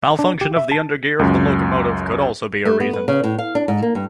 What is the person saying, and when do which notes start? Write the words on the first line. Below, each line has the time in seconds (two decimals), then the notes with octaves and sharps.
Malfunction of the undergear of the locomotive could also be a reason.
0.19 D4
0.41 G4
0.56 E5
0.72 A5
1.19 C#2 F#2
2.65 A3
2.80 B3
2.93 B4
3.08 C#3
3.24 A2
3.38 F5
3.55 D4
3.68 G#2
3.82 A#3
3.95 G2